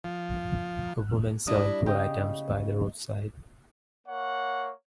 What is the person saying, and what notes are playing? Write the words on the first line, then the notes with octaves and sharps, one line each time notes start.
A woman selling food items by the roadside.
F3
G3 D4 E4 D#6 A#6 D#7
C#3 G4 D#5
A#3 C#5 F#5